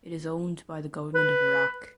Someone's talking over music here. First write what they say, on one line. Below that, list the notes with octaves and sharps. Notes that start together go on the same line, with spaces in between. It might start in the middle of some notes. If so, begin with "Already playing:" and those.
It is owned by the Government of Iraq.
B4